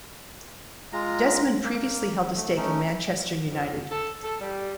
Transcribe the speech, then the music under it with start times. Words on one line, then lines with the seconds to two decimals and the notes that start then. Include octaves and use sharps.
Desmond previously held a stake in Manchester United.
0.93 G#3 F4 A#5
1.64 A#3
2.36 A3
2.57 A3 C#4 D#4
3.49 F2
3.90 A4
4.23 A4
4.39 G3